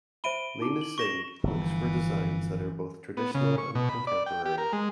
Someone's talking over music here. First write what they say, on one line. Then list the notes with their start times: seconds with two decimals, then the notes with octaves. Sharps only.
Leena Singh looks for designs that are both traditional and contemporary.
0.24 C5 E5 B5 D7 D#7 G7
0.60 D#4 E4 D6
0.81 F#7
0.98 C#6 A#6 E7
1.44 G1 E3 F3
3.17 B3
3.34 C#3
3.58 C#6
3.75 B2
3.89 B5
4.07 D5
4.26 G5
4.46 G4
4.58 A#4
4.73 G#3